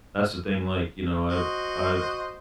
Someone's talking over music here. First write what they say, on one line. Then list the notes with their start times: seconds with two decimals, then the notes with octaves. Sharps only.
that's the thing, like, you know, I've I've
1.28 F#4 C5 D#5